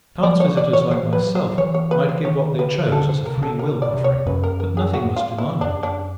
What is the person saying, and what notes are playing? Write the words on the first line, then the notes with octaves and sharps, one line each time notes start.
Chance visitors like myself might give what they chose as a free-will offering, but nothing was demanded.
F3 D5
C#5
E3 D5
C#5
E3 C5
F3 B4
F#3
C5
E3 C#5
C#5
B4
C5
D#3 C#5
D3 B4
D3 A4
C5
C3
A#4
C#3
A4
C3 A#4
B2 D5
C3
C#5
F#2 B4
A#4
A#4
G#4
F2 F#4
F4
E4
F#2 D4
D4